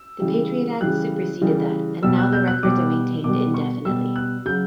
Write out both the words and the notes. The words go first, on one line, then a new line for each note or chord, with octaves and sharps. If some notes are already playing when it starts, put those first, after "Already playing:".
The Patriot Act superseded that and now the records are maintained indefinitely.
Already playing: E6
C#3 E3 G3
C#3 E3 G3 F#6
C#3 E3 G3
B2 G3 E6
F#6
G6
F#6
B2 G3 D6
B2 G3 D6
C#6
B2 G3 E6
F#6
C#3 F#3 G6